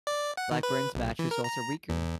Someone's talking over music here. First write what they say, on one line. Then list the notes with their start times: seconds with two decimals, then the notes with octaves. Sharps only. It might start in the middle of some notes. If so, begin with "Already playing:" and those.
Blackburne's match results are weaker.
0.07 D5
0.37 F#5
0.51 D#3
0.63 B4
0.95 B1
1.19 E3
1.31 A#4
1.44 A#5
1.89 E2